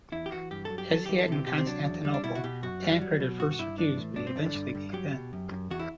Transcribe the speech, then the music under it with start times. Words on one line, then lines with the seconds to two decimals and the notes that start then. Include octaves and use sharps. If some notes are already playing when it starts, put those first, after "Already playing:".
As he had in Constantinople, Tancred at first refused, but he eventually gave in.
0.12 E2 E4
0.26 G4
0.32 E3 F#4
0.51 G2 G4
0.65 F#3 A4
0.78 G4
0.90 F#3 A4
1.06 E3 G4
1.19 A4
1.28 C3 G4
1.47 C3 G4
1.58 C4
1.66 F#3 D4
1.86 E2
2.05 G3
2.14 D4
2.24 B2 E4
2.35 F#4
2.44 B2 G4
2.63 F#2 F#4
2.83 G3
3.01 F#3
3.20 B2
3.40 G2 F#4
3.51 F#4
3.59 G2 E4
3.78 E3 D4
3.97 A2
4.16 G2 D4
4.27 C4
4.36 D3 D4
4.55 G2
4.75 G2
4.93 F#3 G4
5.13 B2
5.33 F#2
5.51 F#2
5.71 E2 F#4
5.79 E4